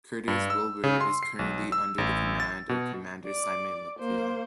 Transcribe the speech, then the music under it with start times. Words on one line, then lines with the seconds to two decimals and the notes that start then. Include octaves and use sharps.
"Curtis Wilbur" is currently under the command of Commander Simon McKeon.
0.28 G2
0.50 E6
0.84 C#3
1.01 C6
1.23 C7
1.39 B1
1.72 E6
1.98 A1
2.40 A6
2.69 B2
3.26 D5 D6
4.00 A#3 C5